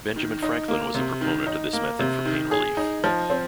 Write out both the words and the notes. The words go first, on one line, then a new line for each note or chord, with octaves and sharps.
Benjamin Franklin was a proponent of this method for pain relief.
D#3
D#4
A#3
C3
D#3
D#4
A#3
C3
D#3
G#4
D#4
F3
C4